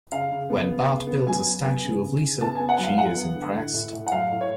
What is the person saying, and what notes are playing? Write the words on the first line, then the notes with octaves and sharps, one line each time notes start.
When Bart builds a statue of Lisa, she is impressed.
C#3 F5
C#3
B3
B3
C#3
B3
F#3 G#5
F#3
B3
C#3
C#3
C#3
B3 A5
B3 G#5
F#5
F#3 F5
F#3 F#5
B3
D3
A2
A2
A2
F#5
F#3 F5
A2
C#5